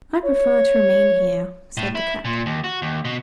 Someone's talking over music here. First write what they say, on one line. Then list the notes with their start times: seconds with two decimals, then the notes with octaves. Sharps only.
"I prefer to remain here," said the cat.
0.25 C#5
1.77 A2
1.95 E4
2.25 A#2
2.46 D#2
2.64 F#4
2.82 D#2
3.05 B2